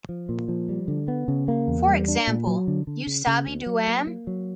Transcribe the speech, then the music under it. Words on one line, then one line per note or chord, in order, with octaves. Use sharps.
For example, you sabi do am?
F3
A#2
F3
G3
D3
B3
C#3
A#3
E2
G3
D4
A#2
F#3
D3
D3
C#3
C#3
D2
F#3
A#3
A#3
F#3